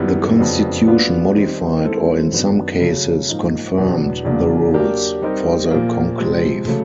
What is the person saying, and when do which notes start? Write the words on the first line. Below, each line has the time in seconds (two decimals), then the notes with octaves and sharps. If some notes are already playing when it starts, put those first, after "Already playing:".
The constitution modified or in some cases confirmed the rules, for the conclave.
Already playing: F#2 D#3 G3 B3 E4
0.39 F2 C#3 F#3 B3 D4
0.87 F#3 B3 D4 F4
1.35 D#3 G3 C4 D#4
1.83 D#3 G#3 C4 E4 A4
2.32 F#2 D#3 F#3 B3 D4
2.80 C#3 F#3 A3 C#4
3.29 G#2 F3 A#3 D#4
3.77 E2 B2 F#3 B3 D4
4.25 E2 C#3 F#3 A#3 D4
4.74 F#3 A#3 D4 G4 A#4
5.22 G3 C4 D#4 G4 A#4
5.71 A#2 F3 A#3
6.18 C3 F3 G#3
6.67 C#3 F#3 A3